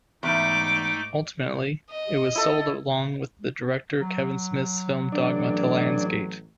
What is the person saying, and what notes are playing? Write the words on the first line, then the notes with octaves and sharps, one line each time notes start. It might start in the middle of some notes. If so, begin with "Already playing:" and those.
Ultimately, it was sold along with director Kevin Smith's film "Dogma" to Lionsgate.
E2 G#2 G3 A3 D#4 D6
D#5
E4 A4
F#3
A1 D4 D5